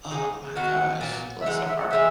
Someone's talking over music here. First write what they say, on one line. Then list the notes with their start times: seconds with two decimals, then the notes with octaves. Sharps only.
Oh, my gosh, bless her heart.
0.11 G#3 D#4 G#4
0.56 D#3 F#3 B3 F#4 F#5
1.01 A#2 F#3 B3
1.41 E5
1.46 E3 G#3 D#4 F#5
1.57 F#5
1.68 E5
1.80 F#5
1.91 E3 G#3 D#4 E5